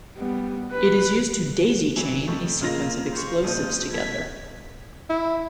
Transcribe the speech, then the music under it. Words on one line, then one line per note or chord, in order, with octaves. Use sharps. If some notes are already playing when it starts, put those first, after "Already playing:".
It is used to "daisychain" a sequence of explosives together.
G3 B3
B4
E3 F#3 G3
F2 A3 C#6
C#3 A#3 F4 D#5 E6 A#6
G3 C5 C#6
G#1 A#2 F3 D#6 G6
B2 A3 G#6 B6
E4